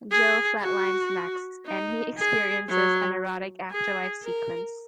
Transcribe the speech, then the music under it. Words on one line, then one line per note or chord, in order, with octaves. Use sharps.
Joe flatlines next, and he experiences an erotic afterlife sequence.
G#4
F#4
D#4
G#4
F#3
G#4
A#4